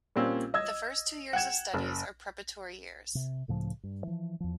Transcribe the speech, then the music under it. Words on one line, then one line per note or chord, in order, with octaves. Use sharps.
The first two years of studies are preparatory years.
A#2 G3 A#3 C4 C#4
D#5 E6 G#6
F#5 G5 G#6 E7
F#1
C3
C#2 A2 C#3 F3
G2
E3 F3
E2 F3